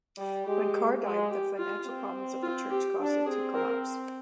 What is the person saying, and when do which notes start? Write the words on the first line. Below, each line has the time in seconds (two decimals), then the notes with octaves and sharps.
When Carr died the financial problems of the church caused it to collapse.
0.18 G3
0.45 G#3 G4
1.02 G#3
1.30 G4
1.57 F4
1.86 C4
2.43 F4
2.70 G4
2.98 D4
3.26 C4 G#4
3.54 A#4